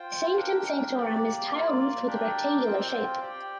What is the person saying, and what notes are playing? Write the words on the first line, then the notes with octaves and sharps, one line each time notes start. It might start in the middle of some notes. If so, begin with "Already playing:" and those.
The Sanctum Sanctorum is tile roofed with rectangular shape.
Already playing: F4 C5 G5
D4 A#4 G5
A#3 G4 D5
A#3 F4 D5
D4 G4 A#4 D5 G5
C4 F4 C5 G5
G4 D5 G5